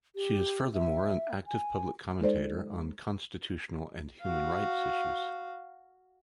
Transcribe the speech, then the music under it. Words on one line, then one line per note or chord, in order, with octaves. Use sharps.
She is furthermore an active public commentator on constitutional and human rights issues.
G4
E5
G#5
G#3 D#4 A4 C5 D5
F#4 F5